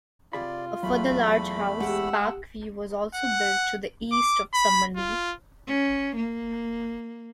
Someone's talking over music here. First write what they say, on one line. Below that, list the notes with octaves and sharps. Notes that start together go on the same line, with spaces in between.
A further large house, Park View was also built to the east of Summerlee.
C3 F4 G#4 D5 B5
E2 F#3 A3 B5
G#3 G4 F5 F#5 E6
F#5
D6
B5
F4
C#4
A#3